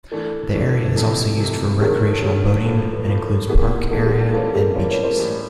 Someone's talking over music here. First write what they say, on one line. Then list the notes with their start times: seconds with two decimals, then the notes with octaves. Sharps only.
The area is also used for recreational boating and includes park area and beaches.
0.12 E3 A3 D4 A4
0.54 E3 A3 D4
0.96 F2 C3 E3 A4
1.38 F2 C3 E3 A4
1.80 G2 D#3 F#3 G#4 A#4
2.02 A4
2.22 G2 D#3 F#3 G#4
2.65 A2 F3 A#3 A4
2.93 A4 B4
3.06 A2 F3 A#3 A4
3.48 G#2 E3 G#3 B3 G#4 A#4
3.91 G#2 E3 G#3 B3 A4
4.05 G#4
4.18 A4
4.32 E3 G3 A#3 C#4 F4 A4 B4
4.54 G#4 A#4
4.75 E3 G3 A#3 C#4 F4 A#4 C5
4.88 B4 C#5
5.03 A#4 C5
5.17 A2 E3 G3